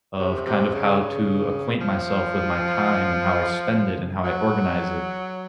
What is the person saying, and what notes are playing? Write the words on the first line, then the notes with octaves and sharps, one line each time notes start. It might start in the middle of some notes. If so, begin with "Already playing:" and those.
of kind of how to acquaint myself with my time and how I spend it and how I organize it.
C3
C3
C#3
C#3
F3
F#3